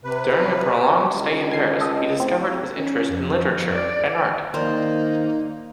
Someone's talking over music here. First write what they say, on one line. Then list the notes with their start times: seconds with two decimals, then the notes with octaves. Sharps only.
During a prolonged stay in Paris, he discovered his interest in literature and art.
0.04 C3 B4
1.14 C#2
1.51 G#6 C7
1.81 A4 D#5 D#6
2.20 A2 C4
2.75 C#4
3.11 F2
3.72 D5
4.54 D#3 A#3 D#4 A#4 C5 D5 D#5